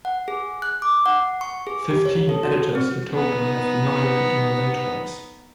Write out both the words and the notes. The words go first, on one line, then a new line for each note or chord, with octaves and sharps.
Fifteen editors in total have been nominated more than twice.
F#5
G#4
F#6
D6
F#5
C#6
G#4
G4
C#5
A4
F#4
C4
B3 D#4